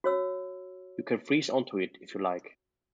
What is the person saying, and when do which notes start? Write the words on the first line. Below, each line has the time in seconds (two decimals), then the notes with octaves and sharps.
You can freeze on to it, if you like.
0.04 F#4 C#5 E6